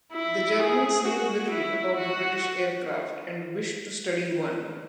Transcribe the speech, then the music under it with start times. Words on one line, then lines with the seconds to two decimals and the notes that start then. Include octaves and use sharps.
The Germans knew little about the British aircraft and wished to study one.
0.13 E4
0.60 G#4
1.05 F#4
1.51 E4
1.97 F#4